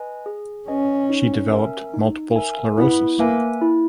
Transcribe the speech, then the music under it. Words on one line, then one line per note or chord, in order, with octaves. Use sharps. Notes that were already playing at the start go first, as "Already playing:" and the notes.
She developed multiple sclerosis.
Already playing: B4 D#5 G#5
G#4
C#4 B4 D#5 G#5
D#4
A#4 E5 G#5
D#4
A#4 E5 G#5
B3 E4
A#3 B4 E5 G#5
E4